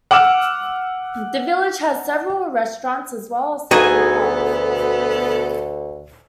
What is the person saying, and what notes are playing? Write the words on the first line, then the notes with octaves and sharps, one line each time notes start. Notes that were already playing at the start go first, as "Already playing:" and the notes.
The village has several restaurants as well as seven pubs.
F#5 D6 E6 F6 E7
D2 B2 B3 D#4 F#4 G#4 A4 G#5